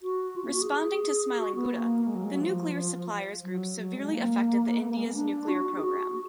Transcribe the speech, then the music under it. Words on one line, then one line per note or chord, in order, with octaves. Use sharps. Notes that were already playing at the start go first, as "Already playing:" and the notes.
Responding to Smiling Buddha, the Nuclear Suppliers Group severely affected the India's nuclear program.
F#4
F4
A#3
F#4
G#4
F#4
B3
A#3
G#3
F#3
G#3
F#3
F3
F#3
F#3
G#3
A#3
B3
A#3
G#3
B3
D4
F#4
G#4
F#4